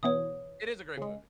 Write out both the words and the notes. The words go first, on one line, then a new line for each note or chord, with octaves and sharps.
It is a great movie.
B2 E3 B3 C#5 D#6
C#3 G#3